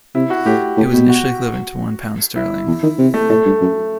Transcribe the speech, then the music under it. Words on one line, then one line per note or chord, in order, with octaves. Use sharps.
It was initially equivalent to one pound sterling.
C3 E4
F#4
A2 G4
A2
B2
F#4
E4
E2
D#3
C3
A3
A2 A3
G2
F#2